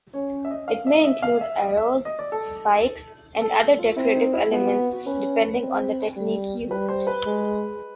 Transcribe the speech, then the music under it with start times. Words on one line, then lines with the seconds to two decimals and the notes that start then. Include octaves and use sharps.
It may include arrows, spikes, and other decorative elements depending on the technique used.
0.14 C#4 C#5
0.45 E5
0.51 D#5
0.68 F5
0.87 E5
1.00 D#5
1.04 E5
1.22 F5
1.41 E5
1.59 D#5
1.77 E5
2.05 D#5
2.19 D5
2.32 A4
3.41 A4
3.60 A4
3.79 F4
3.96 C4 E4
4.15 D#4
4.34 E4
4.51 B3 F4
4.65 F#4
4.79 F#4
4.92 F#4
5.06 C#4 B4
5.61 C4
6.16 G3
6.71 G3 B4
6.89 C5
7.07 B4
7.26 G#3